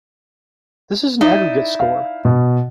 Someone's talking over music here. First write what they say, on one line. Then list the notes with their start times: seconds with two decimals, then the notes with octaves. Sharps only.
This is an aggregate score.
1.21 D#4 E4 D5
1.80 F5
2.25 B2